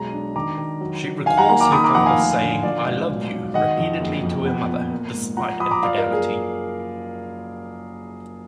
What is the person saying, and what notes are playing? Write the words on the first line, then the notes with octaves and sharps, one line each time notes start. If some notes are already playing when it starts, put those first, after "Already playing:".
She recalls her father saying "I love you" repeatedly to her mother, despite infidelity.
Already playing: B1 G#3 A#5
D4
D#3 A#5 D6
D#3
F#3
F#3
D#3 F5 G#5
F#5 A#5
A#3 F#5 A#5
A#5 D6
D#3 B5 D#6
A#5 D6
F2 F#5 A#5
F5 G#5
D2
D3
F3 D5 F5
G#2
B1
B1
D#3 D#5 F#5
F2
F#1
F2
B3
A#2
A#3
G#2
F3 F#5 A#5
F3 B5 D#6
A#5 D6
F3 D5 F5
A#4
F#1
G#4